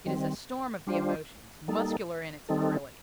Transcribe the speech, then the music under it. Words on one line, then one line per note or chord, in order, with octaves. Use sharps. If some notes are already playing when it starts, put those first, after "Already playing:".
It is a storm of the emotions, muscular in its virility.
D#3 G3 C4
G3 D4 F4 C5
G3 A#3 D#4 A4
D#3 G3 C4 D#4 A4